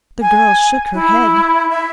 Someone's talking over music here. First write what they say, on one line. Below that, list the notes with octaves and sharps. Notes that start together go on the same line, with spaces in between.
The girl shook her head.
G#5
E4
E5